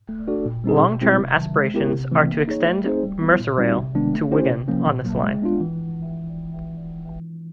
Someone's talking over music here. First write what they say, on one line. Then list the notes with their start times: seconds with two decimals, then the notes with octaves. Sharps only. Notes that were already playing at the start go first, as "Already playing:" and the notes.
Long term aspirations are to extend Merseyrail to Wigan on this line.
0.09 A3
0.27 D4 F#4 A4 D5
0.46 A#2
0.64 G3 C4 D#4 G#4
0.83 B2
1.01 G#3 C4 E4 G4
1.20 C3
1.37 D#3 F#3
1.56 G#3
1.74 B3 E4 G4 A#4
1.93 C3
2.11 E3 A3 C4
2.29 A#3
2.48 D#4 G#4 C#5
2.66 A3
2.84 C4 D#4 G#4 C5
3.03 G3
3.21 B3 E4
3.40 A#2
3.58 G3 C4 D#4 F#4
3.76 C3
3.95 D#3 G#3 B3 D4
4.13 A3
4.32 C#4 E4 G4 C5
4.50 C3
4.68 F3 A#3 C#4
4.87 A#2
5.05 F#3 A#3
5.23 G#3
5.42 B3 D4 F4
5.60 E3